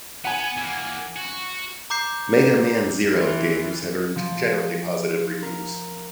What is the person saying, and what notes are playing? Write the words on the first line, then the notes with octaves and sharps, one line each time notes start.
"Mega Man Zero" games have earned generally positive reviews.
B3 F#5 G#5
E3 A#3
F#4
A#5 D6 G6 C7
E3 F4
F3
A#4